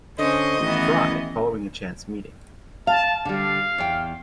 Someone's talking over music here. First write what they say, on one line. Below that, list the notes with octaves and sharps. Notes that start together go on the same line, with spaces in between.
Fry, following a chance meeting.
D3 C#4 C5 D#5 C#6
A1 D#3 E3 B3
F5 A5
D3 G3 F5
E2 G5